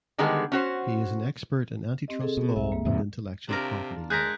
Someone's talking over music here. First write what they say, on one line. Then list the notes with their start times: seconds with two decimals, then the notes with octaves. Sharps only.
He is an expert in antitrust law and intellectual property law.
0.18 D3 D#3 G3 G#3 B3 G#4
0.52 C#4 F#4 C5
2.08 C4 G4 D#5
2.20 C3 G#4 A4
2.37 B2
2.56 C2 F#2 C3 E5
2.72 G#3 A#3
2.85 E2 G#2 C3 E5
3.49 C3 D4 F4 A#4
4.10 G#3 G#4 A#4 F#6 G6 B6